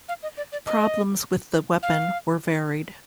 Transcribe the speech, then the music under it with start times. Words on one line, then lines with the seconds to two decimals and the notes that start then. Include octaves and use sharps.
Problems with the weapon were varied.
0.09 F5
0.23 D#5
0.37 D5
0.52 D5
0.66 D#5
1.83 F5